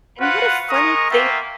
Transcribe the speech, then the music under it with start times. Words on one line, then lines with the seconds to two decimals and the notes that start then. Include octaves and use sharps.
And, and what a funny thing to
0.20 F4 F#4 B4 C5 F#5
0.70 G#3 A#4 A#5 C#6 D#6
1.11 A#3 B3 F4 E5 G5